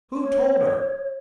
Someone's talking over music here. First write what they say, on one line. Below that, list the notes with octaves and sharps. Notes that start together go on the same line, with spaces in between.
"Who told her?"
C#5